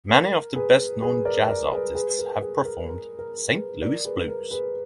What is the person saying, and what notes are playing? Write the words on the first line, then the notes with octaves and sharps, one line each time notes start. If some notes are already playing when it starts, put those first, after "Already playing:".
Many of the best-known jazz artists have performed "Saint Louis Blues".
A#4
G#4 B4
G#4 B4
A#4 D5
A#4 D5
G#4 B4
G#4 B4
A#4
G#4
A#4
A#4
A#4
G#4 B4
A#4 D5
G#4 B4
A#4
G#4 B4